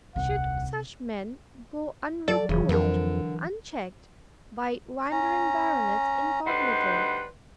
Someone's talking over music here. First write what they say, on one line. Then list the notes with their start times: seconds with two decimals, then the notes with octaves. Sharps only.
Should such men go unreproved, unchecked, by wandering baronets incognito?
0.16 D#1 C2 C3 F#5
2.28 F#3 A4 D5
2.49 F1 C#3 E3
2.69 F2 D3 A#4
5.11 C#4 A#5
6.47 D2 G3 D#4 B4 C5 F#5